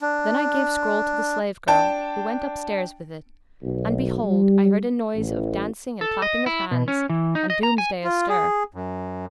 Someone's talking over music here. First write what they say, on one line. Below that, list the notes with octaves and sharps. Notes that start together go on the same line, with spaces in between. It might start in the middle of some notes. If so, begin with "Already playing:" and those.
Then I gave scroll to the slave-girl, who went upsatirs with it, and behold, I heard a noise of dancing and clapping of hands and Doomsday astir.
D4
D4 G5 A5
B1
G3
A1
A4
D#5
E4
B2
C#4
E3
D#4
D#5
A#5
G#5
F4
G#4
F#2